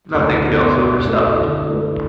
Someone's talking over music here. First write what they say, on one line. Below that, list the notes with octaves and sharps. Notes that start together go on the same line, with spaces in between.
Nothing feels overstuffed.
D2
D3 B3
B2
A3 E4
D3
A3 E4 B4